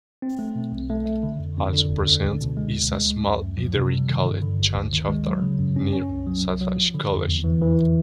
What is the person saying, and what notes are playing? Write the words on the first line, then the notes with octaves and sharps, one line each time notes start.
Also present is a small eatery called "Chan Chavdar" near Sathaye college.
C4
A3
B2
B1
A3
A3
D3
F2
F2
D3
D#2
D3
C#2
B2
G#3
D2
G#3
D2
F#2
F#2
F3
C3
G3
D#3
G2
D3
G#1
D2
D#3
G#3
F#3
C#3
F#2
C#4
C#4
C2
F#3
C2
F#3
F3
D3
F2
E2
E3
E3